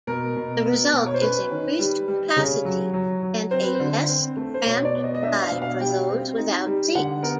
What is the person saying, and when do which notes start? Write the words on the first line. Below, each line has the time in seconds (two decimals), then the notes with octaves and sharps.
The result is increased capacity and a less cramped ride for those without seats.
0.07 B2 A#4
0.36 B2
0.65 B3
0.93 B2
1.06 C#5
1.14 C5
1.21 C#4 B4
1.51 D#3
1.79 G3
2.08 G3
2.36 C#3 C#5
2.65 F#3
2.93 F#3
3.23 F#3
3.51 C4 C5
3.63 B4
3.74 C5
3.80 D3
4.09 C4
4.37 A3
4.54 C5
4.66 B2 C#5
4.85 D5
4.95 B3
5.04 D#5
5.14 D#5
5.22 D4 E5
5.42 F5
5.51 B2
5.62 F5
5.80 G3 G5
6.09 C4
6.37 D#4
6.67 G3
6.95 D3 F#5
7.23 B3 A#4